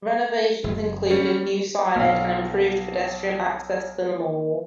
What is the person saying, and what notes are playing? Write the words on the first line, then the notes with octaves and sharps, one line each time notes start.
Renovations included new signage and improved pedestrian access to the mall.
F#1
G3 C#4 C#7
B1 F5